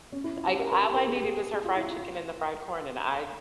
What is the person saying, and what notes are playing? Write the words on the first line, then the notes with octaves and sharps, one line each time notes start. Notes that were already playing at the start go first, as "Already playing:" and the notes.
Like, all I needed was her fried chicken and the fried corn, and I
C#4
E4
F4
G4
A#4
A#4
G4
A#4
G#4
G4
G#4
G#4
F4
E4
F4
F4